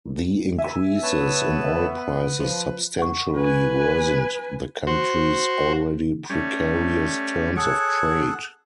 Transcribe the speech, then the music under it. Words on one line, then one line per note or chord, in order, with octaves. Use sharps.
The increases in oil prices substantially worsened the country's already precarious terms of trade.
E5 G#5
B3 B4 C#5 A5
B4
F3
F#5 C#6
B4 G#5
F#4 C5
G3 A3 C#4
G#4 A4 C#5 F#5